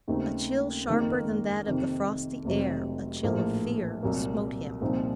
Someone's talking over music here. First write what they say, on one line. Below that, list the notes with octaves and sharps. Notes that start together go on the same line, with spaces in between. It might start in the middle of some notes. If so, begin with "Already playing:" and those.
A chill sharper than that of the frosty air--a chill of fear--smote him.
D#2 C#3 A3 C4 D#4
F#1 F2 D#3 A#3
F2 C3 D#3
F1 F2 C3 F#3
A#1 A2 F3 A#3
C2 A#2 F#3 A#3
C2 A#2 F3 C4 D#4